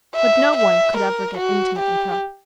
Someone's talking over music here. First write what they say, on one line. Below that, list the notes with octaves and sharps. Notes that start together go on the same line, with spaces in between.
But no one could ever get intimate with her.
E5
E5
A#4
F#4
G4